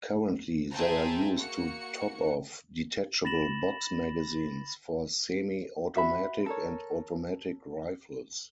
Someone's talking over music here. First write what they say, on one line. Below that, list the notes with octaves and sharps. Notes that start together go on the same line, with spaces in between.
Currently they are used to top-off detachable box magazines for semi-automatic and automatic rifles.
G#4 C5 E5 G5 A5 A#5
A#3 F#4 C#7
B5 A6 A#6 E7 F#7
F#4 E5 B5
A4 A#4 C#5